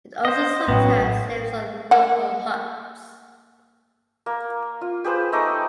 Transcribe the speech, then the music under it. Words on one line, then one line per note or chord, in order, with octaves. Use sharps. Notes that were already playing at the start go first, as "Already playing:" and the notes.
It also sometimes lives on local huts.
C5 D#5
A2 F#3 B3 C#4 B4 F#5 G5
A#3 F#5
A#3
F4
G4 G#4 B4 C5
A3 D#4 D#5 D6